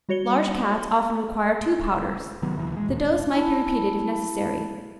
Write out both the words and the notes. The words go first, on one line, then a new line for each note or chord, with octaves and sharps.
Large cats often require two powders. The dose might be repeated if necessary.
G3 F#4 C#5 C#7 G7
C3 D#3 F#3 B3
D2 A#2 E3
G#3
D#2 A#2
E4 A5 B5